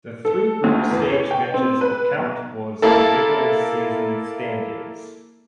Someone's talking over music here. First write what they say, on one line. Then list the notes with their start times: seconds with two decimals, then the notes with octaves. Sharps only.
The three group stage matches would count towards the regular season standings.
0.25 A4
0.64 D2
0.91 E2
1.10 C#5
1.31 G5
1.54 C4
1.81 B4
2.18 B1
2.82 A#3 E4 A4